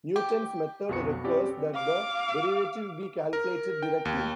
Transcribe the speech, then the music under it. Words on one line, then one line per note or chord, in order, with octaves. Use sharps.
Newton's method requires that the derivative be calculated directly.
G4
B1 F2 B3 F#4 C#6 C#7
C4 C#4 G4 B4 D5
F5 D6
A#4
G5
D#2